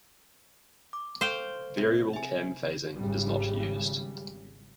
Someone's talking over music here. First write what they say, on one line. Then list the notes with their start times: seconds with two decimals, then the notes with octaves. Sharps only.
Variable cam phasing is not used.
0.93 D6
1.21 A4 C5 F5 G5 C6 C#6
1.77 C3
2.13 E5 G#5
2.99 G#1 C#3 G3